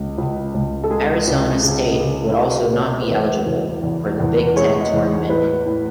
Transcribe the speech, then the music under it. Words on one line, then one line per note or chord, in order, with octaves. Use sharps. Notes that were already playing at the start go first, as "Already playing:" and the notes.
Arizona State would also not be eligible for the Big Ten Tournament.
Already playing: C#2 C#3
C#2
C#2
A4
G#3 G#4
C#2
C#3
C#3
E4
G#3 F#4
G#4
B2 C#5
B4
E2 C#5
E2
E2
E2
G#3 C#5
D#5
E2
A2 B4
A2